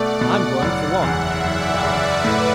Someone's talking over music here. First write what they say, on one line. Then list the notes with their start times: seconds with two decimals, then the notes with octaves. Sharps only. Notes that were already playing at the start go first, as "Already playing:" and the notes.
"I'm going, for one," said Adam.
Already playing: B2 A3 D5 F#5
0.21 B2 F#5
0.62 F#1 F#5
1.02 E2 E5
1.43 F#1 D5
1.84 F#1 B4
2.25 A2